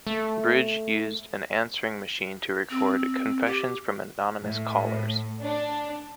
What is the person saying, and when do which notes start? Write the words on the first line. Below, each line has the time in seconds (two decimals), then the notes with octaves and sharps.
Bridge used an answering machine to record confessions from anonymous callers.
0.07 A3
2.70 C4
3.46 G4
4.40 A2
5.41 D4